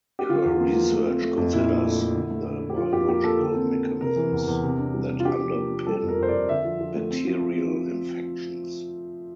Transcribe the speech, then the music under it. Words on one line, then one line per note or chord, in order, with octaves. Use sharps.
Her research considers the biological mechanisms that underpin bacterial infections.
G4
D3 F4
E2
A#3
F3
A3
C4
A3
F2
A#2 E4
D4
A3
A3
D3
A3
D3
D4
G4
F3 F4
F2 G4
A#3 G4
A#3 A4
D3
C4
C4
C4
C3 A#4
E3
E2
E2
C3
D4
G3
C3
F4
D4 G4
F3
A#3
A#3
G3 A4
F2
A#4
F2
C5
F2 D5
D3 E5
F3
F3
A3
C4
F3
C4